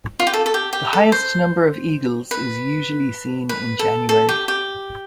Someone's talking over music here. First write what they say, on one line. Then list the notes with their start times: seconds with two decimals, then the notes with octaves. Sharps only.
The highest number of eagles is usually seen in January.
0.20 F4
0.27 G4
0.33 A4
0.46 A4
0.54 G4
0.73 G4
0.93 A4
1.12 C5
2.31 B4
3.49 B4
3.79 A4
4.09 A4
4.29 G4
4.48 G4